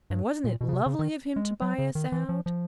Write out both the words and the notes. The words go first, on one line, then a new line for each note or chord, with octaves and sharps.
And wasn't it lovely of him to buy us out?
G2
A#2
B2
C#3
C3
C#3
D#3
G#3
F#3
C#3
D#3
E3
F3
F3